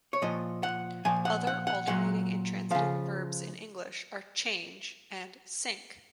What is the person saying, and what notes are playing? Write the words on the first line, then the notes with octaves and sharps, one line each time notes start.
Other alternating intransitive verbs in English are "change" and "sink".
C#5
A#2 F3 D#5
F#5
A#2 F3 G#5
F#5
F#5
F#5
A#2 F#3 F#5
C#3 F3 F5